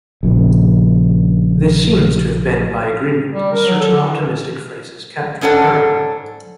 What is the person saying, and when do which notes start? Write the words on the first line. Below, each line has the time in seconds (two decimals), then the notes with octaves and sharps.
This seems to have been by agreement, as certain optimistic phrases kept recurring.
0.23 A#1 C#3
3.33 G3
3.52 A#4
3.66 F#3
3.79 A4
3.91 D3
4.05 E3
5.41 G#2 C#4 D4 A4 F#5